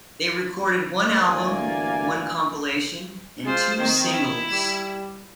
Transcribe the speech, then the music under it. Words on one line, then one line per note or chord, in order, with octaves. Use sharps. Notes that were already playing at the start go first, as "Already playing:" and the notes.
They recorded one album, one compilation and two singles.
G1 D2 E3 A#3 D5 G#5
G#3 F4 C5
D#3 C4
E4
G3